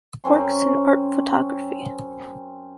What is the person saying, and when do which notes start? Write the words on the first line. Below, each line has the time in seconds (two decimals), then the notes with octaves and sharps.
Works in art photography.
0.24 F#2 C4 C#4 C6